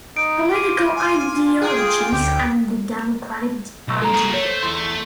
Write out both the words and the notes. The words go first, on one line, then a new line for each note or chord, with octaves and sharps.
Political Ideologies and the Democratic Ideal.
D#4 D7
F4 D6 D#7
G#5
G#4 G5
D2 G4
B1
F#3 A#3 A4 A#5
F#4 G#4
A3 C#5
C5
E2 C6